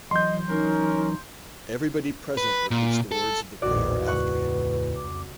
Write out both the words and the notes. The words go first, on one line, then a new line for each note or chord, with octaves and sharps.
Everybody present repeats the words of the prayer after him.
E3 F#3 D#5 C6 G6
C#4 D#4 A#4
B4
A#2
A4
A#1 E2 A2 D#3 F#4 B4 D5
C#2 F#5 C#6
F2 D6